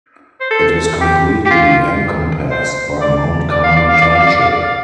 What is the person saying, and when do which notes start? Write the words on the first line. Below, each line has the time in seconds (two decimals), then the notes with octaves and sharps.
It is completely encompassed by Mount Carmel Township.
0.40 C5
0.51 A4
1.01 G4
1.46 G4
1.50 F4
2.51 C5
3.01 D5
3.51 D5
3.64 F5
3.76 D5
3.89 F5
4.02 D5
4.15 F5
4.26 D5
4.40 F5
4.52 D5
4.65 F5